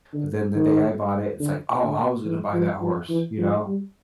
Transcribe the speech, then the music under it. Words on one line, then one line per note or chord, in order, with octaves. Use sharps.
but then, the day I bought it, it's like, "Oh, I was gonna buy that horse," you know?
D3
D#3
D3
D3
E3
F3
F3
E3
F3
G3